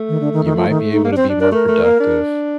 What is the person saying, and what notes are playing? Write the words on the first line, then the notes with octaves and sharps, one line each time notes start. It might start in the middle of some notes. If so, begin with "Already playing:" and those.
you might be able to be more productive,
Already playing: A3
D#3
D3
D#3
D#3
F3
D#3
D#4
A#3
D4
C4 C5
D4
D4 A#4
A3 A#4
A3
A#3
D4